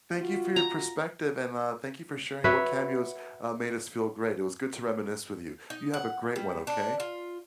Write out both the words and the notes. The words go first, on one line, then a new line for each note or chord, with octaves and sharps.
thank you for your perspective, and, uh, thank you for sharing what cameos, uh, made us feel great. It was good to reminisce with you. You have a great one, okay?
F4 F#4
A#5
F#4 B4 C#5 E5
D#4
F#5
G3
D4
F4